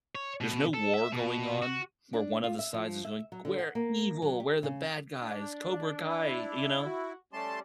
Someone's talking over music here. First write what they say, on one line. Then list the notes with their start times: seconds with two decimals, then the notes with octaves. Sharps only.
there's no war going on, where one of the sides is going, "We're evil. We're the bad guys. Cobra Kai." You know?
0.15 C#5
0.41 B2
0.74 A4
0.94 E5
1.12 B2
1.62 F#4
2.13 D4
2.44 F4
2.59 E5
2.73 F3
3.05 E5
3.32 F#3
3.45 D3
3.58 F#5
3.75 A#3
4.22 F#3
4.40 G4
4.63 C#3
5.21 D4
6.08 E4
6.85 F#4
7.33 G3 A3 C#4 D5 A5 C6